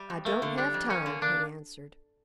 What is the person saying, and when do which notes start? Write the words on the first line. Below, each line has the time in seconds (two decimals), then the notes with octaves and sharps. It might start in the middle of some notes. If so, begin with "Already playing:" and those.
"I don't have time," he answered.
Already playing: G3
0.10 F2
0.25 A3 A#3
0.42 D3
0.58 G3 D4
0.74 F2
0.90 A#3 C#4
1.06 D3
1.22 A#3 D4